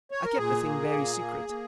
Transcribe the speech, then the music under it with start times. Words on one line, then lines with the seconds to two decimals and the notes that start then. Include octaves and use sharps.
I kept the thing very secret.
0.11 C#5
0.24 A#4
0.37 A#2 G#4
0.65 A#3
0.93 A#2
1.20 A#3
1.49 A#3